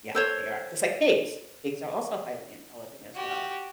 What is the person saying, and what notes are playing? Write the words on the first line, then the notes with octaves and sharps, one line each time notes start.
Yeah, they are, just like pigs. Pigs are also highly intelligent as well.
A4 C5 C#5
F#4 G4